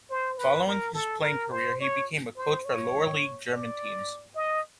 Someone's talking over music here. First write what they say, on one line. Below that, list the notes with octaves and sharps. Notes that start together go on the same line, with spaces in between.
Following his playing career, he became a coach for lower-league German teams.
C5
B4
A#4
A4
A#4
C5
C#5
C5
C#5
D5
D#5